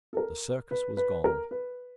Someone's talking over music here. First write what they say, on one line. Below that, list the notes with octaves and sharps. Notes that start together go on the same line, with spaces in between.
The circus was gone.
A4
A#4
B4
B4
A#4
B4